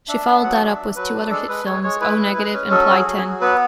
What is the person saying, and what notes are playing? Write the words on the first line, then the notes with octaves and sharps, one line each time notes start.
She followed that up with two other hit films, O-Negative and Plai Tien.
D4 E5
B3 E5
F#3 F#5
D4 E5
F#3
F#3 B4
D4
G#3 A4
G#3 B4
G#3 C#5
G#3 C#5
E4 B4
G#3
G#3
C#4
F#3 A4
F#3 F#4
G#4
F#3
G#4
F#3
B3 B4